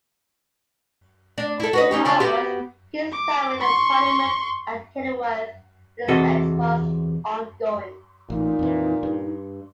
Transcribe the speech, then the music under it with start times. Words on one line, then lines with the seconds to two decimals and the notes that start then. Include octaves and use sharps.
In August, the king summoned a parliament at Kenilworth, where the siege was ongoing.
1.38 D4
1.60 E4 A4
1.73 F#4 B4 D#5
1.91 C#4 D#4 G4
2.05 C#3 D4 F4
2.20 B3 F#4 G4
3.12 D6
3.60 C6 C#6
6.08 E2 C3 F#4 A4 D#5
8.30 A1 A#2 D#4
8.59 F2 E3
9.03 G2